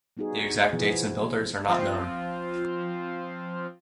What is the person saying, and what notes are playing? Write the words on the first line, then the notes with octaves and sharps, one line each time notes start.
The exact dates and builders are not known.
G3 B3 D#4 F#4 G#4
B2 E3 F3 B3 G#4
F3 C4 F4